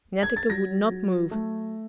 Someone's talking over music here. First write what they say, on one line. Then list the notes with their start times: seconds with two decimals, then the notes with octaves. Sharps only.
Netteke would not move.
0.23 G#6
0.37 A6
0.50 F#3 A#6
0.90 F#3
1.31 A3